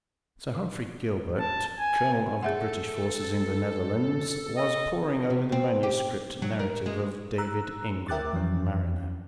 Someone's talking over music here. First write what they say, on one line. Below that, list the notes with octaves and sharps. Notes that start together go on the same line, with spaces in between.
Sir Humphrey Gilbert, colonel of the British forces in the Netherlands, was poring over the manuscript narrative of David Ingram, mariner.
A5
G#5
G#4 A4 E5 F#5
D#5
C3
C4
G4
F#3
A#4
G#3
A#5 E6 F#6
A#4 E5 G5 D6 F#6 A6
F2 E3 F#3 C#4